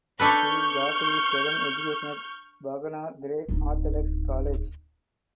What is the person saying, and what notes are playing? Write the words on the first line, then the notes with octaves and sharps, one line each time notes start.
He got his second education at Phanar Greek Orthodox College.
D4 A4 B4 C#6 F6 G6
D1 D#4